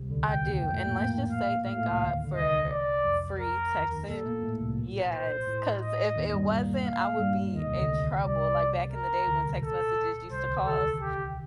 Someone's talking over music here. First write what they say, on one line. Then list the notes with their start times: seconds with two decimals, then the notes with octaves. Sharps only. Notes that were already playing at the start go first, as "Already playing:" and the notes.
I do, and let's just say thank God for free texting, yes, ‘cause if it wasn't, I would be in trouble, like back in the day when text messages used to cost,
Already playing: C2 C3
0.10 D2 D3
0.28 A#2 G5
0.44 D#2 D#3
0.62 F2 F3 G5
0.73 A2 A3
0.85 A#2 A#3
0.97 A#2 A#3
1.32 F5
1.66 A2 A3 F5
1.77 A2 A3
1.89 C2 C3
2.01 D2 D3
2.12 D#2 D#3
2.23 D2 D3
2.35 C2 C3 D#5
2.70 D5
3.04 F2 F3
3.39 A#4
3.74 D#2 D#3
3.90 D#2 D#3
4.08 A#2 A#3 A4
4.25 A#2 A#3
4.42 A2 A3
4.60 C2 C3
4.78 A#2
5.13 C5
5.47 A2
5.81 D#5
6.16 D#2 D#3
6.33 G2 G3
6.50 A#2 A#3
6.85 F5
7.19 G2 G3
7.54 D#2 D#3 D#5
7.66 C2 C3
7.77 D2 D3
8.24 C2 C3 D5
8.93 A#4
9.27 D2 D3
9.45 C2 C3
9.62 A#2 A4
10.31 C2 C3 C5
10.48 D2 D3
10.66 D#2 D#3 A4
11.01 G4